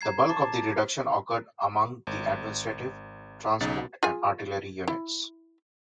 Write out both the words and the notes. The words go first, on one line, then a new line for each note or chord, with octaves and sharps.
The bulk of the reduction occurred among the administrative, transport and artillery units.
A#5 G#6 C7
A5 D6
G#1
B1 C#3 D#4 A6
F4 G#4 G#5
E4